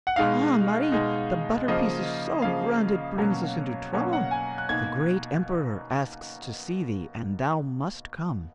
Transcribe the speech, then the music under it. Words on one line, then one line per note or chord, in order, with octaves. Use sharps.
"Ah, Marie! the butter-piece is so grand, it brings us into trouble. The great Emperor asks to see thee, and thou must come!"
F#5
B2 G#3 D#4 F5
B2 G#3 D#4
C#3 F3 A#3 D#5
C#3 F3 A#3 F5
B2 F#3 A#3 C#4
B2 F#3 A#3 C#4
F#5
G#5
F#6
B2 A#3 D#4 G#6